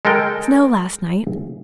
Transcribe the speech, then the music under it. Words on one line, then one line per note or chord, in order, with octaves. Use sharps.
Snow last night.
G#3 A4 A#4 G5